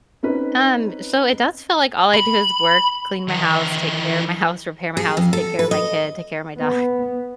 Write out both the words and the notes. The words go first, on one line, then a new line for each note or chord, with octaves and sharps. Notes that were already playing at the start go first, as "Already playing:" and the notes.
Um, so it does feel like all I do is work, clean my house, take care of my house, repair my house, take care of my kid, take care of my dog.
C4 C#4 D#4 B4
B5
D#3 E3
G#4
F2
A4
B4
D#5
B3